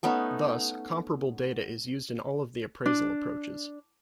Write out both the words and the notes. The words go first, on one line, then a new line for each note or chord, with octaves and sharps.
Thus, comparable data is used in all of the appraisal approaches.
A3 B3 C#4 D#4
D4